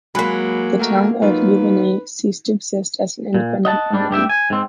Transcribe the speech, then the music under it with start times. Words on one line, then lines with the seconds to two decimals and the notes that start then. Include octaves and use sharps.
The town of Yubileyny ceased to exist as an independent entity.
0.15 F#3 G#3 A#3 B5 F#6 B6
0.79 A3 F#4 A#4
1.22 F#3 D#4 F4 B4
3.35 A#2
3.65 D#5 F#5 A5
3.93 G#2 G3 D4
4.11 G2 G4 E5 G5
4.29 G#5
4.50 G#2 C4